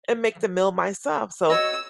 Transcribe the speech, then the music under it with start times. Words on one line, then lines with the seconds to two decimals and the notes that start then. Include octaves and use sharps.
and make the meal myself. So
1.50 F#4 C#5 D#5 E6